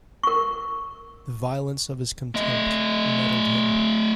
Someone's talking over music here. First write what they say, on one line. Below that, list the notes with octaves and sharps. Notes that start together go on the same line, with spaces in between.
The violence of his contempt nettled him.
A#4 C#6
A3 D#5